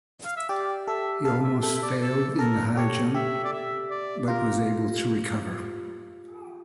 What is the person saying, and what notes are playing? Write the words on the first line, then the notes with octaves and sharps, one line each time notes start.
He almost failed in the high jump but was able to recover.
F5
E5
G4 D5
A4 E5
A4 F5
E5
A4 E5
E5
D5
A4
A4 A#4
G4 C#5
G4 E5
D5
E5
D5
F4 A#4